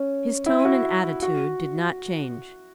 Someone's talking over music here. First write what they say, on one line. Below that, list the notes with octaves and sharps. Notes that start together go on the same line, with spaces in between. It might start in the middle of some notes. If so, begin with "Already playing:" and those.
His tone and attitude did not change.
Already playing: C#4
E4
F#4
F#4